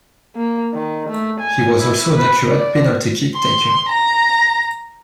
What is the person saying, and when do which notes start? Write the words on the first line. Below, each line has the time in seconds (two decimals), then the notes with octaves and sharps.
He was also an accurate penalty kick taker.
0.36 A#3
0.74 D#3
1.09 A3
1.40 G#5
1.78 E4
2.14 B4
2.48 D5
3.36 C6
3.88 A#5